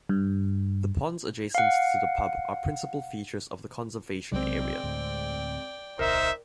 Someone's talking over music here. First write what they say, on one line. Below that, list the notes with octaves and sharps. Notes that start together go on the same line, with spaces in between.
The ponds adjacent to the Pub are principal features of the Conservation Area.
G2
F5 F#5
B1 C3 F#3 G#3 C4 D5 G5
D2 A2
D1 B1 D#4 A#4 C5 E5